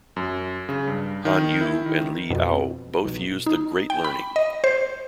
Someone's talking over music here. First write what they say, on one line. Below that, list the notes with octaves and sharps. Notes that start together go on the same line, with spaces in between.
Han Yu and Li Ao both used The "Great Learning".
F#2
C#3
G2
D#3
E4
D#3
F2 B2
B1
D#4
G5
B5
D#5
C5